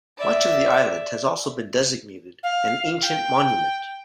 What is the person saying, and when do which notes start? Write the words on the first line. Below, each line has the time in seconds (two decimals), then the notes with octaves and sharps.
Much of the island has also been designated an ancient monument.
0.18 D5 E5
2.43 F5
3.03 G5